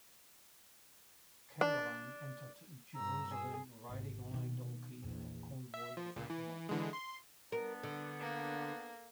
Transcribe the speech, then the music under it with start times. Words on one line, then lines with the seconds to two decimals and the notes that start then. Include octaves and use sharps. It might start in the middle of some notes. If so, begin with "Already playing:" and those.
Caroline entered Jerusalem riding on a donkey in a convoy of camels.
1.61 D4
2.93 G2 A#5 E6
3.33 G#4
3.89 G#1 D#2
4.31 B2 D#3
5.02 A#1 E2
5.74 E5
5.97 F3
6.16 C#2 A#2
6.30 E3
6.69 D3 E3 G#3
6.93 C6
7.52 B3 D4 A#4
7.83 D3
8.20 A#3